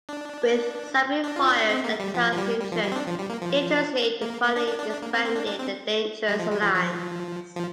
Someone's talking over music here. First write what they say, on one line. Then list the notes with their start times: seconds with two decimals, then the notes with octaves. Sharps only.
With Sabu fired and Taz injured, Dangerously finally disbanded The Dangerous Alliance.
0.09 D4
1.24 D4
1.36 F4
1.48 D4
1.69 C4
1.84 A#3
2.00 G3
2.14 F3
2.32 F3
2.38 G3
2.60 G3
2.72 F3
2.84 G3
2.92 C4
2.96 D4
3.07 F3
3.18 G3
3.29 A#3
3.42 F3
4.22 A#3
4.44 A#3
4.56 D4
4.68 D4
4.79 D4
4.90 D4
5.02 A#3
5.14 C4
5.25 C4
5.35 D4
5.47 D4
5.58 C4
6.28 G3
6.39 F3
6.51 G3
6.62 F3
6.74 F3
7.55 F3